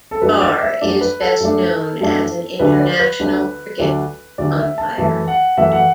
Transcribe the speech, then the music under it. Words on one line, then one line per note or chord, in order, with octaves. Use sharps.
Dar is best known as an international cricket umpire.
A4
F#2 F#3 A3 D4 B4
D5
E5
F#2 F#3 A3 D4 D5
B4
A4
F#2 F#3 A3 D4
F#2 F#3 A3 D4
D2 D3 F#3 D4 B4
D5
B4
D2 D3 F#3 D4
D2 D3 F#3 D4
D2 D3 F#3 D4 D5
E5
A5
F#2 E3 A3 A5
F#5
F#2 E3 A3 E5
F#5